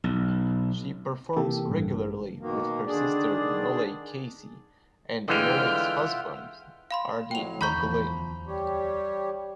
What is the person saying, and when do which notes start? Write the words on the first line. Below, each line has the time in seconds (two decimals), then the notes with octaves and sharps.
She performs regularly with her sister Nollaig Casey and Nollaig's husband Arty McGlynn.
0.04 B1
1.36 C3 E3 A#3 G4 A4
1.68 A1 G2
2.39 B2 D#3 A#3
2.87 D3 D#3 D4 G#4 D5
5.28 D3 E3 G#3 F4 E5 F#5 G5 F6
6.91 F5 B5 C6
7.31 F2 A2 F#3 G5 F7
7.61 D#2 A#5 B5 C#6 G6
7.74 D1 E2 F3
8.47 G3 G4 C#5